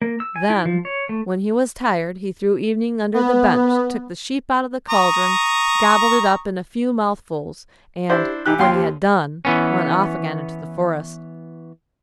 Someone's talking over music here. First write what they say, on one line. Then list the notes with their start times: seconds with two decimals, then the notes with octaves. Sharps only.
Then, when he was tired, he threw Evening under the bench, took the sheep out of the cauldron, gobbled it up in a few mouthfuls, and, when he had done, went off again into the forest.
0.02 A#3
0.20 E6
0.36 G#5
0.50 E4
0.65 F3
0.85 C#5
1.09 A3
3.14 B3
4.90 A#5 C#6 D#6
8.10 D4 E4 G4 C5
8.46 E3 D#4 G4 F#6
8.59 D#2 F5 G5 C6
8.75 G4
9.45 E3 B3 C#4